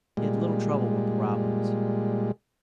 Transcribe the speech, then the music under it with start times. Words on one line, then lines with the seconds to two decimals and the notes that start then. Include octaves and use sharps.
He had little trouble with the robins.
0.17 A#2 G3 G#3